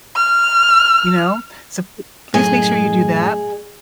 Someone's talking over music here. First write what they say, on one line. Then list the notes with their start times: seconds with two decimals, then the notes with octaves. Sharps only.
You know, so p please make sure you do that,
0.16 F6
2.34 F#2 A2 G#4 D#5